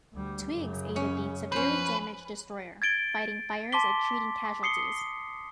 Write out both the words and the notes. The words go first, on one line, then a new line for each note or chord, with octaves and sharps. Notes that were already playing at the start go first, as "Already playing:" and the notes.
"Twiggs" aided the severely damaged destroyer, fighting fires and treating casualties.
D2 G3
F#2 C#3
C#4
F3 C#4 B4 C5
G#6 A6 D7 G7
A5 C6 D6 B6 G7
D#6 C7 C#7 G7